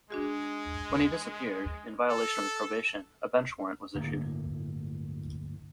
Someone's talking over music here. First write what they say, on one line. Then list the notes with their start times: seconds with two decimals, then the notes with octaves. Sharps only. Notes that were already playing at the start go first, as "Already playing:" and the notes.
When he disappeared, in violation of his probation, a bench warrant was issued.
0.10 G#3 D4 F#4 G#4
2.10 A4
3.95 D1 G1 A2 A#3